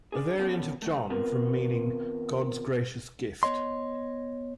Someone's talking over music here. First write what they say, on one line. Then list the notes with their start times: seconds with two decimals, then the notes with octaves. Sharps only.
A variant of Jon from meaning "God's gracious gift".
0.12 D4 G#4
0.39 F3 G3 B3 C#4 F#4 A4
0.82 D3 F#3 A3
1.10 D#3 B3 C4 F4 A#4 B4
3.43 B3 C#5 D#5 C6